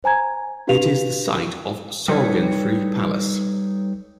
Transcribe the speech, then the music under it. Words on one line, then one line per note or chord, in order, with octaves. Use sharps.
It is the site of Sorgenfri Palace.
C5 G#5 A#5 G#6
D4 F#4 G4 B4 F5 F7
G3 D#4 A4 B4 C#5